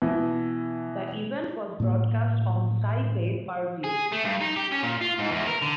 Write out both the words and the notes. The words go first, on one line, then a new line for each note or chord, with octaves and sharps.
The event was broadcast on Sky Pay per view.
B2 E3
A2 A#3
G#4
A3
G2
D#4
G4
C#4
A#2
F4
G#2
E2
A#4
D3